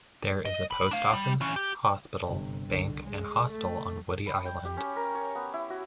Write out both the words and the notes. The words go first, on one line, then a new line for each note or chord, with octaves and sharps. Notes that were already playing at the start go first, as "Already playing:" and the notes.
There is a post office, hospital, bank and hostel on Woody Island.
D#5
B5
D4 F5
G3
E3 C#4
G4
G1 C3
C2 D3
G#3
A3
B5
G5
G4
C#4
A#4
C#5
B3
E4
F#4